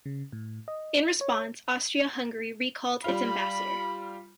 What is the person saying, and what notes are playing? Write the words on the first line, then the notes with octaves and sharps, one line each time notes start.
In response, Austria-Hungary recalled its ambassador.
C#3
A2
D#5
C#5
G3 F4 B5